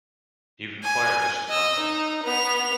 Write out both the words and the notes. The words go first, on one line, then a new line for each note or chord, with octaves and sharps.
Even fire doesn't want them.
G#5
D#5 E6
D#4
B3 F7